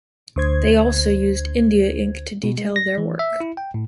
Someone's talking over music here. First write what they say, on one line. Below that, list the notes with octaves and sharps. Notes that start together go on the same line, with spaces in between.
They also used India Ink to detail their work.
D2 C5 G#6
B2
G#3
A#6
E3
E5
E4
G5
A2